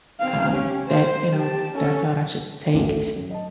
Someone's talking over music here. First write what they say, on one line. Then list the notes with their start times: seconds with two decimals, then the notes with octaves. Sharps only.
um, that, you know, that I thought I should take,
0.20 C4 F5
0.51 C#4 G4
0.89 C5
1.36 G4 A5
1.75 C#4 A4
2.74 A1 D2 A2
2.88 A3
3.16 F#2
3.30 D#5 A5